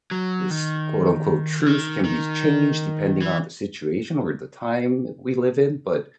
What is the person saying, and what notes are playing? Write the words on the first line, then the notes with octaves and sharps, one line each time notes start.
this quote unquote "Truth can be changed depending on the situation or the time we live in," but
F#3
D#3
D3
D#3
D#3
E3